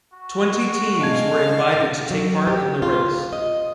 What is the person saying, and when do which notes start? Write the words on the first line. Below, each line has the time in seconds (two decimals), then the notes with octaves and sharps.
Twenty teams were invited to take part in the race.
0.13 F#4
1.00 G#3 D4 F5 A5 G#6
2.11 F#3
2.47 G4
2.82 F4
3.33 D#5